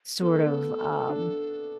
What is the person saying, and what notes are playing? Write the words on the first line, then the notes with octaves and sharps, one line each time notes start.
sort of, um,
B3 A4
A3
B3
D4